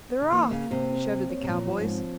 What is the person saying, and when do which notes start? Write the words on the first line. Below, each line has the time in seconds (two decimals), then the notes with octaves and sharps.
"They're off!" shouted the cowboys.
0.22 C#3
0.31 E3 A#3
0.51 C#3 F5
0.71 C3 C5
0.90 C4
1.09 C4
1.30 C#5
1.43 C3
1.48 A#2 F3
1.68 F3
1.78 G#2
1.88 C4